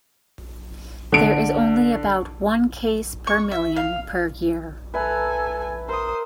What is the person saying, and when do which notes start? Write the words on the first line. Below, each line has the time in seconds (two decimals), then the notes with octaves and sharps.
There is only about one case per million per year.
1.12 D3 D7
3.27 C#6
3.51 E5
3.76 F5
4.94 A4 B4 E5 G#5 A#5
5.88 A#4 C5 D#6